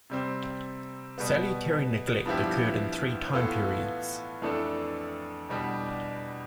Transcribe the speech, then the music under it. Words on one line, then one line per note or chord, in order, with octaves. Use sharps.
Salutary neglect occurred in three time periods.
C3 G3 C4
B2 G3 B3
G2 F3 B3 E4 G4
A2 E3 B3 F4 A4
F2 E3 A3 D4 A4
E2 B2 G3 D4 G4